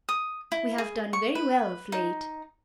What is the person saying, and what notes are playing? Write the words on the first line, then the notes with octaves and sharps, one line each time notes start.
We have done very well of late.
D#6
E4
G#4
C#6
B4
D#4